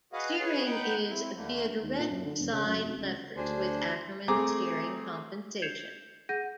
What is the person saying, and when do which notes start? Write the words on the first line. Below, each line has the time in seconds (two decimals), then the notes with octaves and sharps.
Steering is via direct side levers with Ackerman steering compensation.
0.13 F#4 G#4 B4 D#5 F5 F#5
0.40 G#4 B4 C#5 F#5 G#5
0.65 D#4 B4 F#5 G5 G6
1.09 C4 E4
1.36 D#2 D3 A3 A#3
1.82 D#2
1.98 A#2
2.10 F#2
2.24 D3
2.40 E1
2.52 C#3
2.66 F#2
2.83 F1
3.01 C#2
3.36 D2 D4 G#4 C5
4.28 A3 C4 G#4 A#5 D6
5.62 G6 G#6 C7 C#7 E7 F7
6.29 G#4 F#5 G6 A#6 D#7